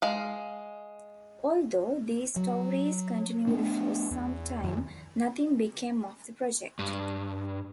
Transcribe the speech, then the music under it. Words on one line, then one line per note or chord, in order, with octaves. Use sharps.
Although these stories continued for some time nothing became of the project.
G#3 F5
F#3
A3 B3 D4
E2
F2 D#3
G2